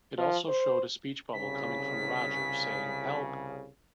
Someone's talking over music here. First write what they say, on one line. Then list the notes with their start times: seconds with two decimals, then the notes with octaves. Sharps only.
It also showed a speech bubble coming from Roger saying Help!
0.18 F3
0.48 C5
1.34 C2 C#3 B6